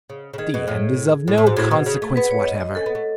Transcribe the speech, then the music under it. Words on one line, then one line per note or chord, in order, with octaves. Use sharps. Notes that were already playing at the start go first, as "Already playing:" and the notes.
The end is of no consequence whatever.
C#3
C#3
D#3 G#4
B2
A2
A2
A2
G#2 F#4
A2 G#4
B2
C#3
A3
B3 B4
C#5
D#5
D#5
C#4 A4
B3
A3